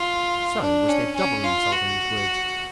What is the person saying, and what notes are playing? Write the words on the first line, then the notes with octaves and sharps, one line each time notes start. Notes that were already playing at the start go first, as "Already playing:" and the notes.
So was there double insult in his words.
Already playing: F4
D4
C#4
C#4
F4
F#4